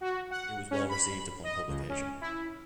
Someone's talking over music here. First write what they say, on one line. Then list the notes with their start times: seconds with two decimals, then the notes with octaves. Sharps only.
It was well received upon publication.
0.01 F#4
0.31 F#5
0.71 C#4
0.89 B5
1.44 D#5
1.68 C#2
1.89 C#4
2.21 E4